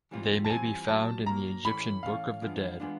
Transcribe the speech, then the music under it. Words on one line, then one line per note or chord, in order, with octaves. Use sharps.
They may be found in the Egyptian book of the dead.
E3 G3 C4 F4
A5
E3 G3 C4 F4 G#5
A#2 F#3 A#3 A5
A#2 F#3 A#3 A#5
A2 E3 A3 C#4 B5
A2 E3 A3 C#4 F5
E3 G#3 B3 D4 F4
E3 G#3 B3 D4 F4